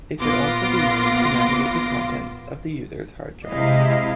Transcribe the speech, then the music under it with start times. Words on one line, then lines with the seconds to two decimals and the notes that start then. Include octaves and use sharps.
It could also be used to navigate the contents of the user's hard drive.
0.18 A#1 B3 F4 C6 D6 A#6
3.47 C3 G#3 E4 D#5 F5